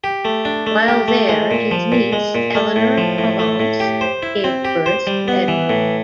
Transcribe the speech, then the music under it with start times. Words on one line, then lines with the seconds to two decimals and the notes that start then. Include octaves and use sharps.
While there, his niece, Eleanor of Provence, gave birth to Edward.
0.04 G4
0.25 A3
0.45 D4
0.66 A3
0.88 G4
1.08 A3
1.29 G#3
1.51 A#2
1.71 F3
1.92 A#2
2.13 G#3
2.35 A#2
2.55 A3
2.76 A2
2.97 F3
3.18 A2
3.39 A3
3.60 A2
3.80 G4
4.01 C5
4.23 E4
4.44 C4
4.65 G4
4.86 C5
5.07 G3
5.28 B3
5.48 E3
5.69 A2